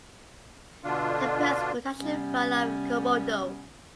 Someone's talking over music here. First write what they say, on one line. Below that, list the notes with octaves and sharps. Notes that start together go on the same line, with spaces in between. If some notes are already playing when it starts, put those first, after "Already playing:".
The first production run of Komodo.
B2 D3 D4 F4
C3 G3 B3 C#4